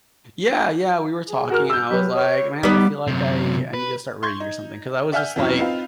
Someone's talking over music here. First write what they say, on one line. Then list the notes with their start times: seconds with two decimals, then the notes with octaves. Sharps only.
Yeah, yeah, we were talking and I was like, "Man, I feel like I I need to start reading or something." 'Cause I was just, like
1.28 G#4
1.50 F#4 A#4 F6
1.70 E6 G6
1.91 F#3 G4 B4
2.15 C#5
2.63 G3 B3 D#4
3.07 F#2 C3
3.74 B4
4.23 C6 C#6 G6 G#6
4.40 D#4
5.12 D5 E5 F#5 G#5 F6 G6
5.36 F2 B2 E3 F#3 C4 C#4
5.58 C4 D#4 F4 B4 F5